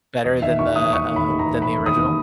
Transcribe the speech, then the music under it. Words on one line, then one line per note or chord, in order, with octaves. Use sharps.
Better than the, um, than the original?
E1 D#5
D#3 E5
D#2 C#6
E1 D#6
E1 C#6
D#3
B5
D#2
A#5
E1
E1 B5
D#3
D#6
D#2